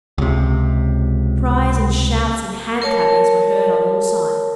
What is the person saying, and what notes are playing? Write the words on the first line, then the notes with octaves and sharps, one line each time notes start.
Cries and shouts and handclappings were heard on all sides.
C#2 C3
A#4 C#5 A5